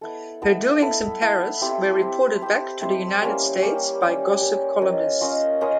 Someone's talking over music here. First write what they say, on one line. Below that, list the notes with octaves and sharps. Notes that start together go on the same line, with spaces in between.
Her doings in Paris were reported back to the United States by gossip columnists.
B3 E4 A4
B3 E4 A4
B3 E4 A4
B3 E4 A4
C4 E4 G4 C5
C4 E4 G4 C5
C4 E4 G4 C5
C4 E4 G4 C5
G3 A#3 C#4
G3 A#3 C#4
G3 A#3 C#4
G3 A#3 C#4
C#4 F4 A#4 D#5
C#4 F4 A#4 D#5
C#4 F4 A#4 D#5